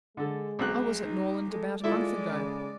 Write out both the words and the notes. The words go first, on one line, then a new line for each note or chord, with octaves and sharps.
"I was at Norland about a month ago."
D3 G#3 A4
B1 C4 F#6
D#4
G#3 A4
G#3 E4 F4 A4 D5 E5
C#3